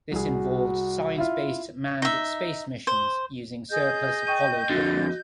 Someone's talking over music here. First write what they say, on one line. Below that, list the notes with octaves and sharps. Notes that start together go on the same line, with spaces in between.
This involved science-based manned space missions using surplus Apollo equipment.
C2 F#4 G#4
E4 F4
D#4 E5
C5
G#4 D#5 G6
G5 C#6 D#7
F2 D3 F#4 A6